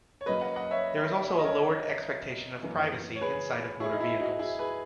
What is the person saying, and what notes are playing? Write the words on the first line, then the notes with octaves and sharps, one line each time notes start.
There is also a lowered expectation of privacy inside of motor vehicles.
C#5
C#3 F#3 A#3 B4 D#5
D#5 F#5
D#5 F#5
C#5 E5
D#5
A#4 C#5
F#2 E3 A#3
C#5
G#4 B4
E4 G#4
D#4
E4
D#4 F#4
E4 G#4
G#4 B4